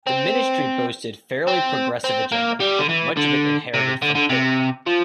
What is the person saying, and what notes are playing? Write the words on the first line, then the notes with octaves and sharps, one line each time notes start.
The ministry boasted fairly progressive agenda, much of it inherited from Pitt.
C4
C4
C4
A#3
G3
D3
E3
D3
C3
D3
D3
C3
F3